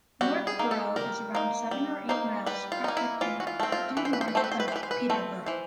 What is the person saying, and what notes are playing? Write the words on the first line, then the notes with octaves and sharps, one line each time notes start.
Northborough is around seven or eight miles practically due north of Peterborough.
G3 F#4
G#4
A#3 D#4
A4
G3 A#4
A#3 D#4
G3
A#3 D#4 C5
G3 B4
F4
A#3 D#4
E4
E3 F4
F#4
F4
A3 C4
F4
E3 B4
C5
B4
C5
B4
A3 C4 C5
B4
C5
B4
C5
E3 B4
C5
B4
A3 C4
E3 C5